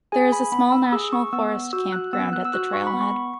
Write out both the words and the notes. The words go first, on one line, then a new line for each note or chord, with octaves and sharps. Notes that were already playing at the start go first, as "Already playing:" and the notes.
There is a small National Forest campground at the trailhead.
G#4 G#5
B5
B3 B5
E6
G#4 E6
C#6
B3 E6
F#4 E6
F#6
B3 E6
F#6
E6
F#4 F#6
C#6
B5
B3
C#6